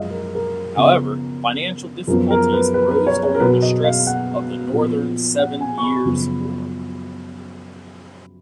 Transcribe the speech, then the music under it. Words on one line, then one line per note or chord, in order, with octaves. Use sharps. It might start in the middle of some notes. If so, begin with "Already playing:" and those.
However, financial difficulties arose during the stress of the Northern Seven Years' War.
Already playing: F#2 F3 G#3 D#5 F5
A#4
A#4
C#3 F3 B3
F#2 F3 B3 A#4
A#4
B4
B4
B4
C#5
C#5
A#4
B2 F#3 B3 B4
D#5
F5
F#5
A#2 F3 B3
F#5
G#5
C#6
B5
F#2 C#3 F3 B3